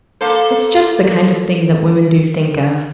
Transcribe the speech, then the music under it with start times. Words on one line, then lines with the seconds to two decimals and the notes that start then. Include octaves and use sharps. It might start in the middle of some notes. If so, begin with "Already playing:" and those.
"It's just the kind of thing that women do think of."
0.21 A#3 A4 C5